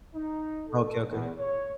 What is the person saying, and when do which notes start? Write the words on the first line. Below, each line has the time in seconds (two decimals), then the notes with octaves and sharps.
Okay, okay.
0.15 D#4
0.69 A4
1.08 E2
1.38 C#5